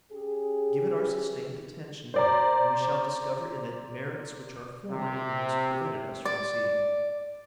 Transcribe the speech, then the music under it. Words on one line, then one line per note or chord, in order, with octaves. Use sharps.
Give it our sustained attention and we shall discover in it merits which our former ignorance prevented us from seeing.
C#4 G4 G#4
C5 D5 A#5
C3
D5